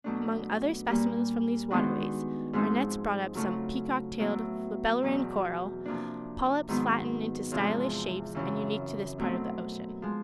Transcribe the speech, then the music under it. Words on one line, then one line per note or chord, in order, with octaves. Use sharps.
Among other specimens from these waterways, our nets brought up some peacock-tailed flabellarian coral, polyps flattened into stylish shapes and unique to this part of the ocean.
B2 F#3 A3 D4
A#2 G3 A#3
D#3 G#3 B3 D4 F#4
G#2 F3 G#3 C4 D#4
C#3 F#3 A3 C#4 F4
A2 F#3 B3 E4
E2 B2 F#3
C3 F3 A#3 D4
G#2 D#3 F#3 B3
E2 C3 F3 G#3
F#2 C#3 E3
B2 F#3 A3 C4
F3 G#3